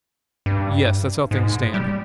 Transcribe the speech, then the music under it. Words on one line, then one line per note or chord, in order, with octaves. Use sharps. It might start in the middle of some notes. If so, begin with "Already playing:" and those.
"Yes--that's how things stand."
G2
G#2
G3